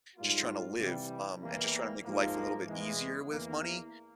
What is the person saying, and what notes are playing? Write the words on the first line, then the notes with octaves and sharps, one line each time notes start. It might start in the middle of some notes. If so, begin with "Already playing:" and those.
just trying to live, um, and just trying to make life a little bit easier with money
G#2 G3 A#3 F4
C3 E3 G3
E2 E3 G3 A#3
G#2 F3 A#3
E2 E3 G#3
E2 E3 A#3